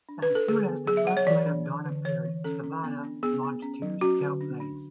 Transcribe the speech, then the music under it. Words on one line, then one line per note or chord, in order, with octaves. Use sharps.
As soon as the first light of dawn appeared, "Savannah" launched two scout planes.
D4
B4
D4
A4
D3 G#4
B3
F#3 G#4
E5
F#3 F#5
C#5
E3 D5
D4
D3
D3
E3 C#5
E3
C#4 A4
C#4
B3
D4
B3 G#4
B3
C#4
F#3
C#4 F#4
D3
D4
D4